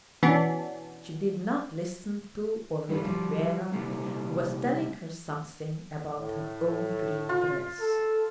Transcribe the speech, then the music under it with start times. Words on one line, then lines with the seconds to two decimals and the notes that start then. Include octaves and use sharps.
She did not listen to or look at Vera, who was telling her something about her own green dress.
0.23 B2 E3 B3 C#4 D4
2.89 G2 D3 D#3 G3
3.04 F3 G3
3.72 C3 G3 A3 A#3
6.17 A2
7.29 F4
7.79 A4